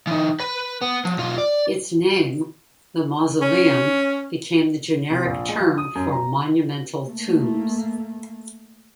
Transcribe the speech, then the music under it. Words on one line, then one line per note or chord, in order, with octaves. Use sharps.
Its name, the Mausoleum, became the generic term for monumental tombs.
E3 D#4
B4 B5
B3
F3
B1 F4
D5
C#4
C3
A#1
G#3
F3
D#6
F#2
A#5
A3 A#3